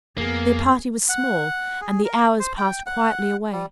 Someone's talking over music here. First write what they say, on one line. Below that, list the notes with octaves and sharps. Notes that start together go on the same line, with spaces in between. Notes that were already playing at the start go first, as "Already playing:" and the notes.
Their party was small, and the hours passed quietly away.
F2 A#3 B3 G#4
F#5
G#4
A#4
C5
G5
F#5
G3